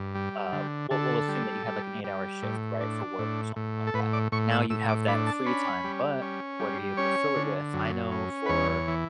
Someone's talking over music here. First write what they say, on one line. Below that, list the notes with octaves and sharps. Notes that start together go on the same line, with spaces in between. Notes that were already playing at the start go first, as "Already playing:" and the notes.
uh we'll we'll assume that you had, like, an eight-hour shift, right? For work or something like that, now you have that free time, but what are you able to fill it with? I know for,
Already playing: G2
G3
D3
D3 A4
G3
G3
G3
A2
D4
A2
A2
A4
A2 B4
D5
A2 C#6
E6
A2 E6
D6
D4 B5
A5
C#4 B5
G3
C#4
G3
C#4 C#5
D3
F#2
C#4
B4
E2 C#5
E3